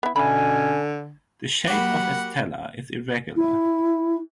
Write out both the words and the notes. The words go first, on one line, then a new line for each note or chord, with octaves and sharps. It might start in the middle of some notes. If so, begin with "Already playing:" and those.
The shape of Estella is irregular.
B3 E4
B2 D3 E3 C#4 G#5 B5
F#3 A#3 F#4 G4 F#5 B5
E4